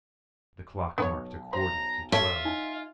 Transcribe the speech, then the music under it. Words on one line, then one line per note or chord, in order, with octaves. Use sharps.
The clock marked a quarter to twelve.
B1 B3 B4 C#5
C5 A#5
F4 A4 C#5 E5
D#4 G#5